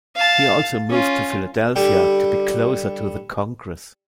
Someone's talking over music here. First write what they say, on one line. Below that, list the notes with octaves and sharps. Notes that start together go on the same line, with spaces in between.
He also moved to Philadelphia to be closer to the Congress.
F5 A5
C#4 F4
D3 G3 G4